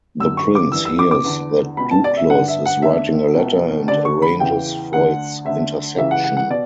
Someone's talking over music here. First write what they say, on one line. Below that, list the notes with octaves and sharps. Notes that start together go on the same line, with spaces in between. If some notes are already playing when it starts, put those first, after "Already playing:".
The Prince hears that Duclos is writing a letter, and arranges for its interception.
F#2 D3 E6
C#6
D6
G2 E3 E6
E6
D6
D6
E2 D3
C#2 B2 B5
A5
D5
E5
G2 D3 F#5
E5
F#5
D2 D3 E5
C#2 B2
D2 D3 D5
C#6
B5
E2 C#3 E3 G5
D2 D3 F#5
D2 D3 E5
C#2 C#3 E3 E5
F#5
F#5
F#5
B2 D5